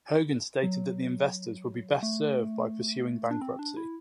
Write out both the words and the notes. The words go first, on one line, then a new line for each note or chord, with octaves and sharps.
Hogan stated that the investors would be best served by pursuing bankruptcy.
F#3
A3
D4
C4
D4
E4